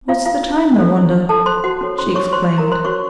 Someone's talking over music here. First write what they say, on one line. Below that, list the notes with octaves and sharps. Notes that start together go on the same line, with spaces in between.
"What's the time, I wonder?" she exclaimed.
F4 F5
F4 F5
C#4 A4 C5
A4 A5
C5 C6
F#4 F#5
C#4 A4 C#5
C5 C6
C#5 C#6
C5 C6
A#4 A#5
C5 C6
C#4 F#4 C5 C#5 C#6